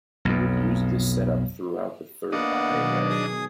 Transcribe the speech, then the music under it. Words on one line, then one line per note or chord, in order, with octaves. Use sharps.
He would use this set up throughout the "Third Eye" era.
B1 F2
A#3 B3 D4 D#5 F#5
B2 D#3 F#3
G#4 G#5 D#6